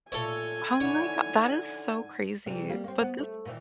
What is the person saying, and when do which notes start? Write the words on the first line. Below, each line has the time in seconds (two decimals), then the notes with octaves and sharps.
Oh, my go that is so crazy, but, this
0.12 A#2 F4 A4 C#5 E5 G#5
0.80 D3 D#4 E4 C#5 F#5
2.46 C3 E3 G3
2.69 G3 A#3
2.84 A#3 C4
3.01 B3
3.18 A3
3.45 A#2 D#3 E3